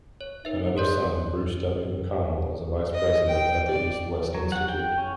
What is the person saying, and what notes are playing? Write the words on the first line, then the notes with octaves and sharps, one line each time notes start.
Another son, Bruce W. McConnell, is a vice president at the EastWest Institute.
C#5
D#4 B4 E5
A#4 C#5 D5 C6
D#5
G5
D5
F#3
F#5
G5
C#4